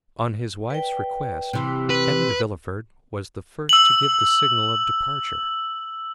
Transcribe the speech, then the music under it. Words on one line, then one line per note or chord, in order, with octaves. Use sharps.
On his wife's request, M. de Villefort was the first to give the signal of departure.
B4 D5 G5
C3 E3 C6 E6
B4
E6 F#7